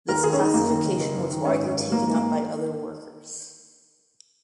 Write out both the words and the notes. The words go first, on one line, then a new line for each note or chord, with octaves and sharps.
This classification was widely taken up by other workers.
D#2 A#4
D#3 G#4
C#4
D#2 D#4
F#2 A#3
D#3
F#1
F#1
F#2
D#3
G#2 C#4
D#3
C#4
G#1
G#1 A#3
G#2
A#3